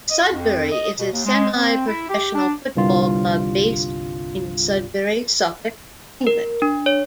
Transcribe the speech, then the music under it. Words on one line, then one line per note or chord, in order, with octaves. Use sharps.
Sudbury is a semi-professional football club based in Sudbury, Suffolk, England.
D#5
F2
D#5
B2
D#2
G#3
C4
E4
G4
D4
G1 C2 G2 F4
A#4
D4
C#5